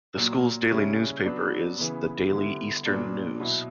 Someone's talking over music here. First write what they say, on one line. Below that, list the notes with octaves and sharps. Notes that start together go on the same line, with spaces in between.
The school's daily newspaper is The Daily Eastern News.
A#2 F#3 A#3
C#3 G3 C#4 E4
F#3 B3 D4
C#3 E3 B3
D3 G3 B3 E4
A#2 F#3 B3 D4
B2 F#3 B3 E4